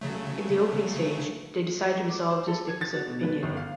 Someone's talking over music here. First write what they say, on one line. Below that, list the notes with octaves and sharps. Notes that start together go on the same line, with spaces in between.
In the opening stage, they decide to resolve this difference of opinion.
C#3 F#3 A3
D6
C5
A4
G#6
A6
F#4
B2
B4
G1
F5